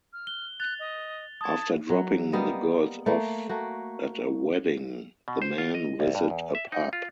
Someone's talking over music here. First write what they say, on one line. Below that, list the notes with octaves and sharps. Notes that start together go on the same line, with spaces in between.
After dropping the girls off at a wedding, the men visit a pub.
F6
F#6 G7
F#6 A6 F7
D#5
A5 D#6 G#6
F#3
G3 A#3 B3 D#5
A3 A#3
A3 A#3 F#4
B2
C5
F4
D#5
C2
G2
E2
E5
D#4
F4